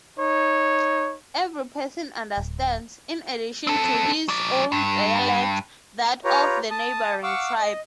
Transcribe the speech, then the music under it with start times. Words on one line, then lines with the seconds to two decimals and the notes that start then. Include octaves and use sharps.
Every person understands, in addition to his own dialect, that of the neighboring tribe.
0.18 D#4 C#5
2.37 D1
3.67 C4 A4
4.28 F#3 D5
4.72 G2
6.25 F4 G4 B4 C#5 A#5
6.71 A5 D#6
7.23 F5 F#5 C#6 D6 E6
7.59 D#5